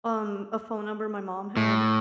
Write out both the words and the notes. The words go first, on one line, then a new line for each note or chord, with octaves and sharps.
um, a phone number my mom had
A2